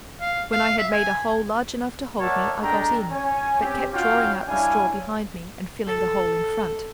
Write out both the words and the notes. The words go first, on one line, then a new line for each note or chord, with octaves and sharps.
When I had made a hole large enough to hold me, I got in, but kept drawing out the straw behind me, and filling the hole in front.
F5
F5
E5
G#5
A#4 C#5 D5 E5 F#5 A5
G#3 D4 A4 G5 A#5
C#4 C#5 G#5
C4 C#4 G4
C#4 D#4 F4 F#4 F5 G5
G3 D4 E4 C#5 F5 G#5
A4